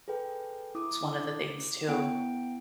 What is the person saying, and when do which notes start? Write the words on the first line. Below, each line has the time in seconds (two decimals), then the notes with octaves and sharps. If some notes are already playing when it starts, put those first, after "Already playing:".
is one of the things too.
0.08 G#4 A4 B4 G5
0.75 E4 D6 D#6
1.88 B3 E4 F#5 G5 D7